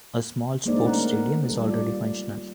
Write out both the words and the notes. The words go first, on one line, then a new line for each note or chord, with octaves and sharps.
A small sports stadium is already functional.
G#3 A#3 D4 D#4 C5 D5
D#3 A3 C#4 A#4 F#5
G3 A4
F4 D5